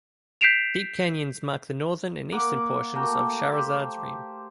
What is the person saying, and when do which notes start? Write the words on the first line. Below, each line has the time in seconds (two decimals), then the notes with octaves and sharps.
Deep canyons mark the northern and eastern portions of Shahrazad's rim.
0.41 G6 B6 C7 D7 E7 F7
2.32 A#3 F#5 D6
2.95 A3 A#3 F#4 G5
3.52 G4 C5